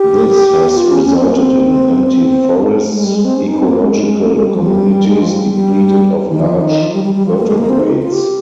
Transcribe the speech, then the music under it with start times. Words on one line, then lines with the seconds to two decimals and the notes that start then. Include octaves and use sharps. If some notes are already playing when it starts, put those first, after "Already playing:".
This has resulted in empty forests, ecological communities depleted of large vertebrates.
Already playing: G4
0.77 F4
0.92 C#4
1.05 C#4
1.15 C4
1.25 A#3
1.36 C4
2.07 C4
2.92 G#3
3.04 G3
3.15 G#3
3.25 C4
3.36 C#4
3.48 D#4
3.58 C4
3.69 A#3
3.80 G#3
4.23 A#3
4.34 G#3
4.44 G3
4.55 F3
4.66 G3
5.05 A#3
5.09 G#3
5.22 F3
5.31 G3
5.53 G3
6.31 D#3
6.39 F3
6.61 D#3
6.82 F3
6.93 G3
7.04 G3
7.15 G3
7.26 F3
7.37 G3
7.43 A#3
7.47 G#3
7.58 A#3
7.69 C4
7.80 D#4
7.91 F4
8.02 F4
8.12 G4